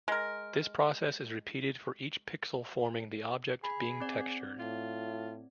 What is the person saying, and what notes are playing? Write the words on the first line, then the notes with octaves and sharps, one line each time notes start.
This process is repeated for each pixel forming the object being textured.
G#3 A#4
G#4 B5
C4 D5
A2 F4